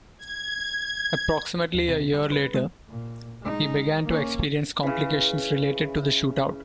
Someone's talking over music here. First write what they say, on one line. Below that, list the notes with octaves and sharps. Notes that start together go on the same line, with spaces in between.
Approximately a year later, he began to experience complications related to the shootout.
G#6
D#2
C3
G3
B4
G#3
A#2
G#3 D#4
A#3 C#4
C#3 E3